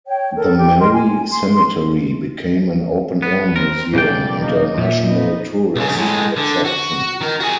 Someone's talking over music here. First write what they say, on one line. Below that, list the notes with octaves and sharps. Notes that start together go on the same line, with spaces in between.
The Merry Cemetery became an open-air museum and a national tourist attraction.
C#5 G5
A4 A#4
G4 G5
A#4 D#5 G5 C6
G#5
C6
B3
C4 A#4
B1 C#3 A4 D5 G5
A#3 D#4
A#2 E5
B3 D#4
B1 C#3
A2 G#3
D3
F#4
D#3 A#4
F#4 G#4